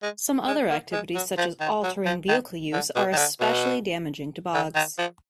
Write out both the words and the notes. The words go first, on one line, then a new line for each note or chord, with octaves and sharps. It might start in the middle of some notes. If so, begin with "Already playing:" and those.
Some other activities, such as all-terrain vehicle use, are especially damaging to bogs.
G#3
G#3
A#3
G#3
F#3
F3
D#3
F#3
F3
D#3
D3
B2
D#3
D3
B2
D3
D#3
F3